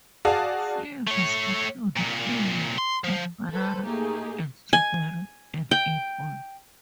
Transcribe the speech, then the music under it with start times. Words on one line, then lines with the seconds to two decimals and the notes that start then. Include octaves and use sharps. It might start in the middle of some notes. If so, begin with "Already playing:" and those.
Flavors include Kiwi and Banana and Strawberry and Apple.
0.25 F#4 G#4 D5 F5 A5
1.07 A3 C#5
1.97 C2 A#2
2.78 C6
3.04 F3
3.51 A4 B4 C5
3.83 A2 A3 A#3 D#4 G4 G#4
4.73 G#5
5.71 G5